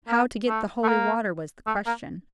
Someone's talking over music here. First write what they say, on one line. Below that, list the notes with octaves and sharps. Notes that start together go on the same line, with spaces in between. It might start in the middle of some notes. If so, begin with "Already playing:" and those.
How to get the holy water was the question.
A#3
A3
A3
A#3
A3
A#3